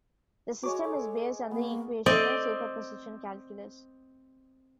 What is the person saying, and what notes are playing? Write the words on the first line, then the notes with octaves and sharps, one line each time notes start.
The system is based on the equational superposition calculus.
G#3 F#4 C#5 D6
A4
A#3 B3
C4 D5 D#5